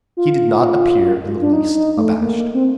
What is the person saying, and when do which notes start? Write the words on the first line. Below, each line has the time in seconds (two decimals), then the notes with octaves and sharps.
He did not appear in the least abashed.
0.17 F4
1.41 D4
1.53 D#4
1.74 D#4
1.97 A3
2.21 A#3
2.54 C4